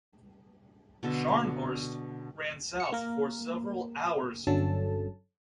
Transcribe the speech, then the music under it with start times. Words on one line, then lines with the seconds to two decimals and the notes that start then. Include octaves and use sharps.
"Scharnhorst" ran south for several hours.
1.03 B2 D3 A4
2.80 C#7
2.92 A#3 A#4
4.47 G1 D3 F#3 C#4 A4 A5